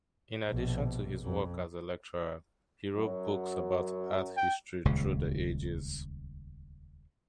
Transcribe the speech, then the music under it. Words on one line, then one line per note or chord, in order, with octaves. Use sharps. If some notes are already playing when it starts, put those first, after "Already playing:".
In addition to his work as a lecturer, he wrote books about art history through the ages.
A#1 B2
F2
F#2 F#3
G5
D#1 C#2 C#3